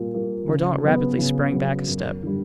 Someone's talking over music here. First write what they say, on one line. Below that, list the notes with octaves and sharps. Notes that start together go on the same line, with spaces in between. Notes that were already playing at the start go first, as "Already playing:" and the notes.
Mordaunt rapidly sprang back a step.
Already playing: A#2 G3 A#3
G3 A#3
C#3
F#3 B3
C#3
F#3 B3
F#2
D3 G3